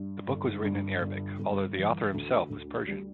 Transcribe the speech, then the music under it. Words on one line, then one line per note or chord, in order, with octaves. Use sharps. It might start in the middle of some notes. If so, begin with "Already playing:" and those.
The book was written in Arabic, although the author himself was Persian.
Already playing: G2
G1
G2
G1
G1
E3
D2
D2
G3